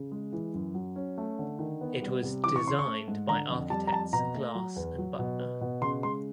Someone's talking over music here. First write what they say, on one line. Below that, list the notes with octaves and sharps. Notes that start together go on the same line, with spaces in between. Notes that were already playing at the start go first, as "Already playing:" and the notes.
It was designed by architects Glass and Butner.
Already playing: C#3
G#3
E3
F#2
F#3
C#4
A3
D3
D#3
B3
G3
C3
E3 D6
C#6
C#4 C6
C#6
A3
G#2
D3 A#5
F2
G3 A5
A#5
F2 A5
B2 A#5
A3
F#3
E2
F#3
B2
B3
B2
C#3 C6
G#3 C6